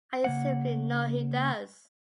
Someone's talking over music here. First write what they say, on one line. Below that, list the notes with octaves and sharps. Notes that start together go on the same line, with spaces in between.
I simply know he does.
C#3 A#3 F#5